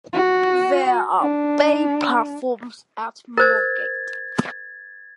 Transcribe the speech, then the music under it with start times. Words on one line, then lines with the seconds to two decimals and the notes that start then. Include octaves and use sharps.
There are bay platforms at Moorgate.
0.13 F#4
1.21 D4
3.37 A#4 C5 G#6 A6